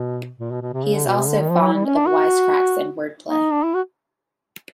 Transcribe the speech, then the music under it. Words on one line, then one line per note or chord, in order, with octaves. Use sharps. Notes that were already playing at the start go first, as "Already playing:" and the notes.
He is also fond of wisecracks and wordplay.
Already playing: B2
A#2
B2
B2
C3
C#3
D3
B2
C3
D3
D#3
F3
F#3
G3
C#4
D4
F#4
D#4
D4
E4
F#4